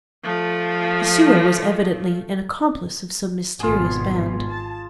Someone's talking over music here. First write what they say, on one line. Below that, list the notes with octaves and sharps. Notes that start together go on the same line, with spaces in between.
The sewer was evidently an accomplice of some mysterious band.
F3 A3
G#1 G#2 B2 F4 G#4
A5